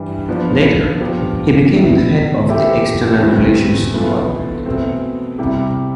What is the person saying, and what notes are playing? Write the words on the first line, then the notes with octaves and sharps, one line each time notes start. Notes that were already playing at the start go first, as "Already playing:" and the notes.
Later he became the head of the external relations department.
Already playing: G2 E3 G3
F3 B3 D4
F3 B3 D4 G4
B2 B3 E4
E3 A3 E4 G4
E2 D3 G3 C4
E3 B3 F4 A4
E2 B2 A3 C4
C3 G3 C4 E4 G4